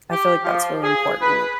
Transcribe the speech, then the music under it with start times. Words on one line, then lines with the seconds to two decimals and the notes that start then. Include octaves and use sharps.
I feel, like, that's really important.
0.11 G4
0.43 F3
0.84 G#4
1.22 B4